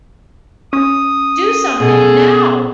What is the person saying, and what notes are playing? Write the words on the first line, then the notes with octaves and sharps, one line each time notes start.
Do Something Now!
C#4 D#6
B2 G#4 A4